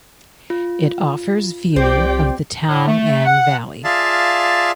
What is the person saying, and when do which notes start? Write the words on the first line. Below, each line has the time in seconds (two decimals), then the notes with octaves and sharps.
It offers view of the town and valley.
0.50 F4
1.76 C2 C4 G4 D5 G5
2.68 A2
2.87 A3
3.26 F#5
3.84 F4 G#4 D5 E5 F5 A5